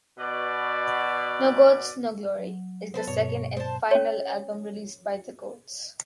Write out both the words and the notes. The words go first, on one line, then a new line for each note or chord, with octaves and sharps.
"No Goats, No Glory" is the second and final album released by The Goats.
B2 D5
F#3
B3 A4 B4 C5
G2 B2 C#5
C5 A5
C#4 C#5